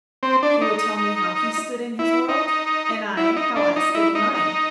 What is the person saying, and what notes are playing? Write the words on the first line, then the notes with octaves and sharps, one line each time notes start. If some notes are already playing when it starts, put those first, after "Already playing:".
He would tell me how he stood in his world, and I how I stood in mine.
C4
D4
D#4
E4
D#4
E4
D#4
D4
D#4
E4
D#4
D#4